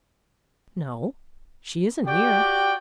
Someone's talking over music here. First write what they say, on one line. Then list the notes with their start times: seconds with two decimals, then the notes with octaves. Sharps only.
"No; she isn't here."
2.06 F#4 G4 D5 G5